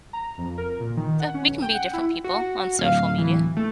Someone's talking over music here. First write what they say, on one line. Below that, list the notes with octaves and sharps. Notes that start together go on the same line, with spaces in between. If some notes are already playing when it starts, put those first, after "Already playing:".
So we can be different people on social media,
A#5
F2
A#4
A#2
D#3
F#5
C#4
B1
G5
F#5
E4
F#4
D1 F5
E3
A3